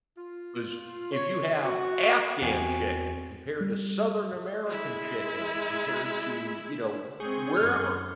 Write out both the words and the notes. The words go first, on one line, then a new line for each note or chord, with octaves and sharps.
'cause if you have Afghan chicken compared to Southern American chicken compared to, you know, wherever,
F4
C#5
F#4
E2 C4 F#4 G#5
G3
G#3 E4
G#3 C4 G#4 C#6 G6
F#2 F6